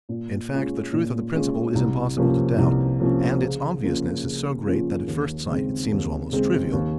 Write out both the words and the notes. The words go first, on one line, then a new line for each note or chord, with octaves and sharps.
In fact, the truth of the principle is impossible to doubt, and its obviousness is so great that at first sight it seems almost trivial.
A#2
G#3 C#4 F4
A#2
G#3 C#4 F4
C2
C3 F3 A#3 C#4
C2
C3 F3 A#3 C#4
C#3
F3 A#3 C#4 F4
C#3
F3 A#3 C#4 F4
D#2
C#3 G#3 C4
D#2
C#3 G#3 C4
D#2